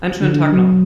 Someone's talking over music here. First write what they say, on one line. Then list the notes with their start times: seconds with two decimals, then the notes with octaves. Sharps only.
Einen schönen Tag noch!
0.21 D3
0.52 F#3